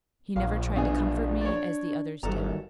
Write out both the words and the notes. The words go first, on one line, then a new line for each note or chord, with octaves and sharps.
He never tried to comfort me as the others did.
A#1 F5
B1 D4 G#4
C#5 D5
G1 F#2 D#3 G3 A4 A#5